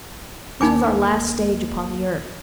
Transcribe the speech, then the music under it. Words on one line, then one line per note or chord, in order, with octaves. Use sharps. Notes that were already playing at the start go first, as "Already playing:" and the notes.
This was our last stage upon the earth.
D#2 A#3 D#4 G#5 D6